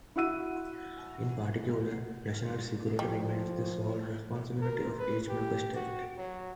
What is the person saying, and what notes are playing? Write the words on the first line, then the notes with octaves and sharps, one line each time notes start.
In particular, national security remains the sole responsibility of each Member State.
E4 F#4 F#5 E6 D#7
F3 G3
A#4
B4
G4
F#4
F#3